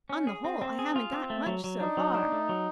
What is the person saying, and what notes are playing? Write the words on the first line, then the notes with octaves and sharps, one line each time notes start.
"On the whole, I haven't got much so far."
C#4
G#4
C4
C4
G#4
F4
C4
A3
F#3
F#3
D4 D#4
F#3
D4
A3
F#3